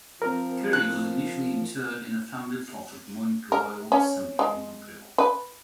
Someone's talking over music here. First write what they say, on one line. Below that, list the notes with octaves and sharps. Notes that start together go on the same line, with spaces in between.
Currie was initially interred in a family plot at Mount Royal Cemetery in Montreal.
F3 C4 A#4
F#6
A#4
C#4
G#3
B4